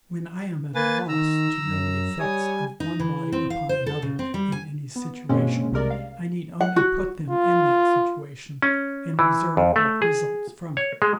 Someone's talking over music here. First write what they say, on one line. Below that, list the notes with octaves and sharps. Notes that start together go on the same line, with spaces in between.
When I am at a loss to know the effects of one body upon another in any situation, I need only put them in that situation, and observe what results from it.
A#3 B4 G#5 A6
D#3 A#5 E6
F#2
G3 C#5 G#5 D#6
D#4
E3
C4
F5
C5
A4
C#3
C4
G3
G#5
B3
G2 B2 G#3 A#3 C4 C#4
C2 C3 G#3 A#4 D5
F5
F#5
F#4
F4
C#4
E3
F2
A3
G#4
C#5
G#3